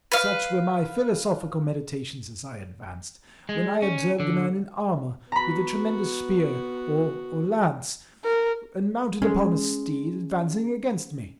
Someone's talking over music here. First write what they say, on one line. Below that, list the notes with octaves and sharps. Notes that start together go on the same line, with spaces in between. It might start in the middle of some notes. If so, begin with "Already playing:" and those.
Such were my philosophical meditations as I advanced, when I observed a man in armour with a tremendous spear or lance, and mounted upon a steed, advancing against me.
B4 F5
G#3
C#4
D3
B3 F#4 A#5 B5
A#4
G#3 C#4